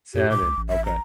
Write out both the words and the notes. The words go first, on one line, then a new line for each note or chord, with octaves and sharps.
Salmon, okay.
F#2 G4
A#2 D6
C#2
A1
E5
A#5